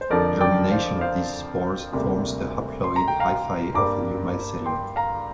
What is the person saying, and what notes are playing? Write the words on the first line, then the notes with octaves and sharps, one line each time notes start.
Germination of these spores forms the haploid hyphae of a new mycelium.
C5
F2 D3 F3 A#4 D5
D5 G5
C5 F5
C5 F5
D2 C3 G3 A#3
C6
A#5
G5
F5 A#5
G2 G3 A#3 A#5 D6
G5 C6
F5 A#5